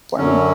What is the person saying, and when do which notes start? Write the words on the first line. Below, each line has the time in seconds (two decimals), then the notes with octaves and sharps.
for me.
0.17 F#2 D3 F#3 C#4